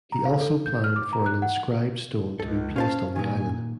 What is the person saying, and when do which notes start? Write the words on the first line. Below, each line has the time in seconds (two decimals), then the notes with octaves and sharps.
He also planned for an inscribed stone to be placed on the island.
0.12 A#5
0.25 F5
0.41 A4
0.66 G6
0.84 F6
0.96 D6
1.13 A#5
1.26 F#6
1.42 F#5
2.40 C#2 A4
2.76 C#4 C5 F5 A5
3.16 A#2 D#3 G#5